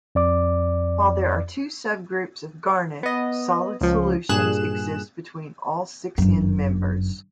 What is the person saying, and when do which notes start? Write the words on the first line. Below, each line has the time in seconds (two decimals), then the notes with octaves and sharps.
While there are two subgroups of garnet, solid solutions exist between all six end-members.
0.15 F2 D5 D6
3.03 B3 D#5
3.81 C#2 F3
4.29 G2 A#2 G#4 F#6 E7
6.18 G1 F#2